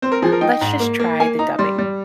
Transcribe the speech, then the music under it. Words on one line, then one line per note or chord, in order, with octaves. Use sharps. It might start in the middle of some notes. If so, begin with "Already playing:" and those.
let's just try the dubbing,
C4 C5
A#4
F3 G#4
A#4
D#4 G5
G#2
A#3
A#3
A#3 G#5
D#4 A#5
G3 C6
G3